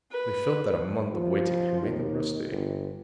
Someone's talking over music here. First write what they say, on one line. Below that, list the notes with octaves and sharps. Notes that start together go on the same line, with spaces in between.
They felt that a month of waiting had made them rusty.
B4
F3
D#2
G1